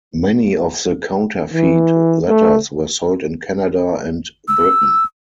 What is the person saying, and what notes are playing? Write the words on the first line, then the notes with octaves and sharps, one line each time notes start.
Many of the counterfeit letters were sold in Canada and Britain.
E3
A3
E6